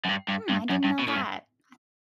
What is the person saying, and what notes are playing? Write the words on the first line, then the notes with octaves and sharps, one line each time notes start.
Hmm, I didn't know that. I
F#2
G2
G2
G2
F#2
G2
B2
A2
G2